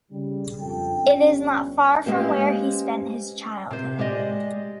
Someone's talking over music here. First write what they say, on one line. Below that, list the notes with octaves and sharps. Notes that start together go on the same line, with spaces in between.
It is not far from where he spent his childhood.
C#3 G3
F2 D4 A4 G5
G1 G2 C#4
G#3 A#3 C#4 G4 B4 C5
C3 C5
G#3 G4 D5 D#5